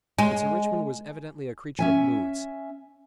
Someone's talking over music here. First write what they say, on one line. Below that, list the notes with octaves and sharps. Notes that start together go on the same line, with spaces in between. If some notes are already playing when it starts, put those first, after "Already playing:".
But Sir Richmond was evidently a creature of moods.
G#3
C#4 E5 G#5